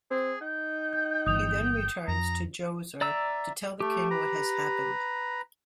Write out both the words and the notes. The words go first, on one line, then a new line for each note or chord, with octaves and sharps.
He then returns to Djoser to tell the king what has happened.
C4 G#4
D#4 G5
G6
G1 E3 D#6 F7
F2 A#5
D5 E5 A#5 E6
A3 G4
B4 A#5